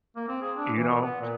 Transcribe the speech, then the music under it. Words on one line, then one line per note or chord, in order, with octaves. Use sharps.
you know,
A#3
C4
G#4
D4
E3
A#2
B3
A#2